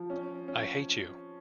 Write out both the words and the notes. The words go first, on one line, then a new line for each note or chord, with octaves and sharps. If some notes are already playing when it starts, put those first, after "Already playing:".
I hate you!
Already playing: F3
C#4
C#4